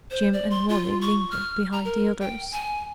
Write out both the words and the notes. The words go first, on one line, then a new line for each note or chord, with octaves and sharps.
Jim and Wally lingered behind the others.
C5
D5
C6
F4
C#6
F6
A#5
A#4
G5
G#5